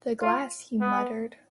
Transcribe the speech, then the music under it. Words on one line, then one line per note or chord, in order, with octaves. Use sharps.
"The glass," he muttered.
F4
B3